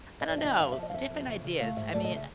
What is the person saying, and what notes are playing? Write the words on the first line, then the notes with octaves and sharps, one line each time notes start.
I don't know, different ideas, I mean, eh
D#5
F2 D5
E5
D3 D#5
F#2 F5
E5
F3
D#5
F5
F2 E5
F2
C#3
C#3
A3 F5
G#2 E5
A3 D5
D#5
C#3
E5